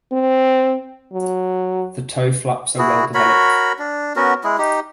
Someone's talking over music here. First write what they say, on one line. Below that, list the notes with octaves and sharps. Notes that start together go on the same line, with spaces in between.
The toe flaps are well developed.
C4
F#3
E4 F#4 G#4
F#4 A#4 C#5 B5
D4
B3 C#4 F#4 A#4
G#3 E4 G#4
D#4 G4